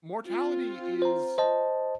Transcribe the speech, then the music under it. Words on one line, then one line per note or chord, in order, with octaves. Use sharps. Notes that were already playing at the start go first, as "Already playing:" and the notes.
mortality is
C4 F4
C5 A#5
C5 D#5 A5